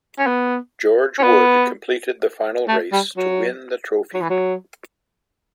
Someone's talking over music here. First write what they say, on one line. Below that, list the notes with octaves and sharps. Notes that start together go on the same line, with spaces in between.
George Wood completed the final race to win the trophy.
C#4
B3
C#4
B3
A3
G3
F#3
F#3
E3
F#3